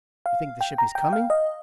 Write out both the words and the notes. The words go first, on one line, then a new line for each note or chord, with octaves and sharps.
"You think the ship is coming?"
F5
G5
A#5
G5
F5
D#5